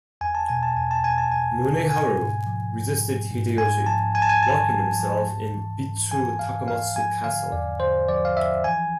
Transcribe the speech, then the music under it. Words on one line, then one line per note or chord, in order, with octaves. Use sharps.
Muneharu resisted Hideyoshi, locking himself in Bitchu Takamatsu Castle.
E2 G#5
A5
B2 G#5
A5
E2 G#5
A5
B2 G#5
A5
B2 G#5
B2
G#2 G#5
G#2
F3
G#2
G#2
G#2
G#2 G#5
F3 A5
G#2 G#5
A5
G#5
G#2 A5
F3
F3
G#2
E3
G#2
E3 G#5
G#2 F5
G#2 F5
F3 G#5
D3 F5
E2 D5
D3 C5
F3 D5
F5
F3 E5
E3 G#5